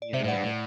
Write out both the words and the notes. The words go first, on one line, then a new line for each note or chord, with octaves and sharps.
you know,
D5
C3 C5 E5
A2 D5 F#5
G2
A2